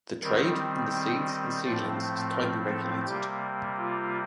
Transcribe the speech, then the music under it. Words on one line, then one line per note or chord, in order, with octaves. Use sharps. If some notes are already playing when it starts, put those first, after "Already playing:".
The trade in the seeds and seedlings is tightly regulated.
D#3 G3 C4 A#4
D#5
A2 F3 A3 C4 D5
A#4
A4
C3 G3 A#3 G4
F4